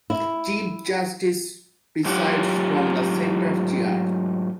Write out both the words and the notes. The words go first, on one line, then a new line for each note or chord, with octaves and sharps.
The Chief Justice presides from the centre chair.
E4
G#2 F#3 A3 F4 G4 F#5